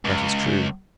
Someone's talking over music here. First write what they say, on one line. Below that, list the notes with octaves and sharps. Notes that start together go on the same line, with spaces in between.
That is true.
C#2